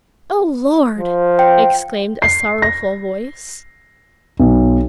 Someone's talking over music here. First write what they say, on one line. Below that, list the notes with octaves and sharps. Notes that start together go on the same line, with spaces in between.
"O Lord!" exclaimed a sorrowful voice.
F3
G5
C7
A#6
B1